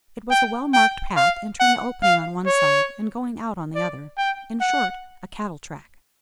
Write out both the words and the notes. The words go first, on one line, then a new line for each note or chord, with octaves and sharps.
It was a well-marked path entering the opening on one side, and going out on the other: in short, a cattle-track.
G5
G5
F5
F#5
F5
C#5
D5
G5
F#5